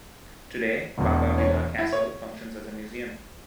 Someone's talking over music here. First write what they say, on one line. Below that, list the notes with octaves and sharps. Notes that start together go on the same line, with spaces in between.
Today, Baba Vida castle functions as a museum.
E1 E2 B2
C#4
E4
C#5